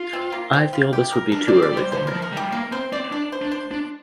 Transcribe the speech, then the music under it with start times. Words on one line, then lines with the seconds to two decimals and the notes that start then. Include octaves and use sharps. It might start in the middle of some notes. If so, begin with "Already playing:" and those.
I feel this would be too early for me.
Already playing: F4
0.13 C4
0.32 A#3
0.53 C4
0.73 F4
0.93 G4
1.12 A#4
1.32 D4 A#4
1.48 D5
1.53 C4
1.62 D5
1.72 G3
1.77 C5
1.92 D3 C5
2.07 A#4
2.13 F3
2.22 A#4
2.32 G3
2.37 G4
2.52 A#3 A#4
2.72 C4 C5
2.93 C4 D5
3.12 D4 D5
3.32 C5
3.42 D4
3.52 C5
3.71 D4